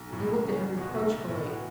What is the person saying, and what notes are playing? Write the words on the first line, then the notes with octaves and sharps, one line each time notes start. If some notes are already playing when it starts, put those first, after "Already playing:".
They looked at him reproachfully.
Already playing: B1
A2 F#3
C#2
C#3 E3 C#4 F#4
E2
B2 B3 F#4
B1
B2 A3
A2
E3 B3 F#4